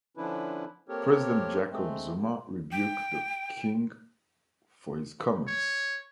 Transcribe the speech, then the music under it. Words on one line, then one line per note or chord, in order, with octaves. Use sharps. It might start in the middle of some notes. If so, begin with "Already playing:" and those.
President Jacob Zuma rebuked the king for his comments.
D3 F3 C#4 D4 E4 B4
A#3 C4 G4 A4 A#4 C#5
G#3 A3 C4
G2 D3
G5
C#5